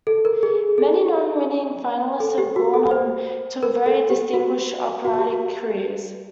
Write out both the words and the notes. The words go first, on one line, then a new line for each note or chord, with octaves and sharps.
Many non-winning finalists have gone on to very distinguished operatic careers.
A4
A#4
G#4
A4
A4
G4
F#4
A4
C5
A#4
A4
G4
F#4
F#4
G4
F#4